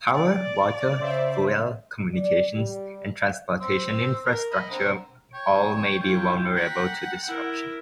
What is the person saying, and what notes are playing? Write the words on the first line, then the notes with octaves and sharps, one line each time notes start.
Power, water, fuel, communications, and transportation infrastructure all may be vulnerable to disruption.
D5
C#3 C5 E5
D5
G3
C5 C6 E6
A#4 F6
D#5 B5
D3 C4 A#5
C#5 G5
E4 F4 C#5
F#5 A#5 B6
E4 A#4